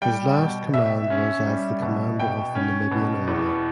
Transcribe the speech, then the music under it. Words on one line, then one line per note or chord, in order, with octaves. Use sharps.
His last command was as the Commander of the Namibian Army.
G3 G5
B2
B2 E5
C#4
G3
B2
B2 G5
C#4
B2
E2